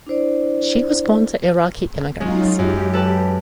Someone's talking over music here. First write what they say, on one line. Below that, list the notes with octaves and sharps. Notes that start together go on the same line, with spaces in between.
She was born to Iraqi immigrants.
D4 E4 C5 D5
F#3 G#3 C#4 D#4 F4
F#2 G4
A4 B4 A5